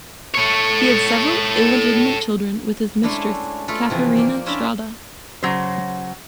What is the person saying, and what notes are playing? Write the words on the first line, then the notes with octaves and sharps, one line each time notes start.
He had several illegitimate children with his mistress Catherina Strada.
A4 C#5
G#3 A3 C#4 D4 E4
A3 F4 A4 B4
C3 E3 F3
A#3 D5
C#4 D4 E4 F4 E5 A#5
C#3 F#3 C5